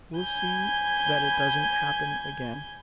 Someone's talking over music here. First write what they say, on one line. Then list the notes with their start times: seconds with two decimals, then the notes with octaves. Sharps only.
"We'll see that it doesn't happen again."
0.16 G#5 B5 G6 G#6